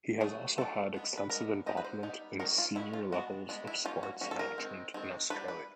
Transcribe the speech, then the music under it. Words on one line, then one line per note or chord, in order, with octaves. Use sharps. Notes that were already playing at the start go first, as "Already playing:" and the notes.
He has also had extensive involvement in senior levels of sports management in Australia.
F#3 A3 D4 G#4
F#3 A3 D4 A4
G#3 B3 D4
B4
G#3 B3 D4 A#4
G3 B3 D#4 D#5
B4
C5
G3 B3 D#4
D#3 G#3 C#4 A#4
F4
D#3 G#3 C#4 E4
F4
G#3 B3 D4 F#4
G#3 B3 D4
E4
G3 A#3 C#4 F4
F#4
G3 A#3 C#4 F#4
A4
A#4
D#3 G#3 C4
D#3 G#3 C4
E3 G3 A#3 D4 B4
B4